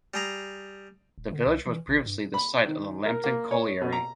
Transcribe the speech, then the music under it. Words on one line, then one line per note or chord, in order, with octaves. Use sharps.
The village was previously the site of the Lambton Colliery.
G3 G#4 A#5
D1
D3
C2
E3
A1
G2
B5
D#3
A#4
A#3
C#5
B2
A#5